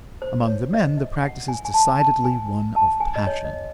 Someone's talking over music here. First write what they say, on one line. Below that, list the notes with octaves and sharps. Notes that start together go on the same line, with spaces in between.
Among the men the practice is decidedly one of passion.
C5
C#5
D#5
E5
F#5
G#5
G#5
A5
A5
G#5
A5
G#5
D#5
C#5
D#5